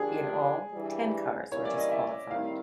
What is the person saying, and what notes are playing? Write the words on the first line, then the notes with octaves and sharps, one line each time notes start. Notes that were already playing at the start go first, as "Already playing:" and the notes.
In all, ten cars were disqualified.
Already playing: D3 F3 A#3 D4 G4 G#4
G2 E3 G3
E3 G3 A#3 C#4 E4 C#5
D5
D#5
E5
D#2 D#3 G3 C4 E4 F5